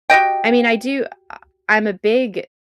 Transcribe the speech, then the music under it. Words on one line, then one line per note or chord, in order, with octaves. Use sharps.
I mean, I do I I'm a big,
F#4 G4 D#5 G5